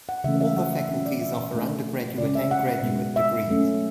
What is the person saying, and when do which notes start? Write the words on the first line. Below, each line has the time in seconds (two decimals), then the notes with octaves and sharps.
All the faculties offer undergraduate and graduate degrees.
0.09 F#5
0.24 C#3 E3 A3 C#4 E5
0.41 E5
0.56 F#5
0.73 E5
0.89 F#3 C#4 E5
1.06 D5
1.21 E5
1.54 B2 A3 D4
2.18 C#3 G#3 C#4 D5
2.35 E5
2.51 F#5
2.83 B2 G#3 B3
3.16 E5
3.48 F#3 A3 C#4